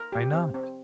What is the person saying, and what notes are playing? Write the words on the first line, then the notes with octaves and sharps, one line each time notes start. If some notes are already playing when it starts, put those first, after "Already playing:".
Why not?
Already playing: A#4
G4
C4
C4